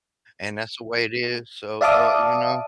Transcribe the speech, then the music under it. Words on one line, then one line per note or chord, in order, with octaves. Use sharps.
And that's the way it is, so, uh, you know
D5 E5 F5 A5 D6 D#6